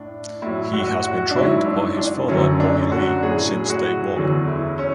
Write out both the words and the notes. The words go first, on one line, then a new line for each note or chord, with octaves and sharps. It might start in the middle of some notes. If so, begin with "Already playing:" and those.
He has been trained by his father Bobby Lee "since day one".
Already playing: A2 D4
A2 F#3 E4
F#4
F#4
D4
G#2 F#3 E4
D4
D4
F#2 D3 F#3 C#4
D4
F#4
A2 F#3 G#4
G#4
F#4
E2 D3 F#3 G#4
E4
C#4